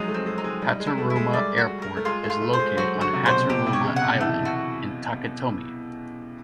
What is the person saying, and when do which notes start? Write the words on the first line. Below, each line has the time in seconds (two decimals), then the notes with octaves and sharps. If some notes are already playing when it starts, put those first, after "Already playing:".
Hateruma Airport is located on Hateruma Island in Taketomi.
Already playing: F3 F#3 G#3 D#4
0.08 A3
0.14 C4
0.26 G#3
0.38 D#4
0.44 G#3
0.62 G3 D#5
0.80 G#3
0.87 E4
0.98 A3
1.10 E4
1.16 G#3
1.33 G3 D5
1.58 F#4
1.82 A#4
1.97 A3
2.05 G#3 F4
2.23 A3
2.30 F4
2.41 A3
2.53 C5
2.59 G#3
2.77 F#3 F#4
2.95 D3
3.01 F#4
3.13 C3
3.26 C5
3.31 B2
3.49 B2 G4
3.67 C3
3.73 C#5
3.85 C#3
3.96 F#5
4.03 C3
4.21 E3 A3
4.45 F#4